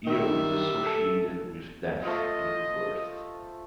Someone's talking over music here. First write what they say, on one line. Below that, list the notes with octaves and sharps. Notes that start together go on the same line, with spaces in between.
Yew is associated with death and rebirth.
D#3 G3 E5
A4
A3 F4 C5 D#5